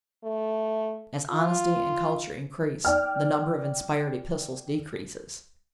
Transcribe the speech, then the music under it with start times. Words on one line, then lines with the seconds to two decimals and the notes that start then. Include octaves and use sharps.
As honesty and culture increase, the number of inspired epistles decreases.
0.24 A3
1.30 F4
2.85 D5 G5 F6